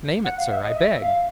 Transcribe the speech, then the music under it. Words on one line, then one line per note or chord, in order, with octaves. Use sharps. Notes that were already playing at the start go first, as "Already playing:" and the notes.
"Name it, sir, I beg."
F#5
F5
E5
D#5
E5
E5
F5